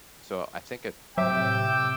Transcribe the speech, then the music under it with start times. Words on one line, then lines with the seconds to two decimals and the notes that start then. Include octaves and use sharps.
So I think a
1.18 A2 C3 F#3 C5 E5 G5 D6 E6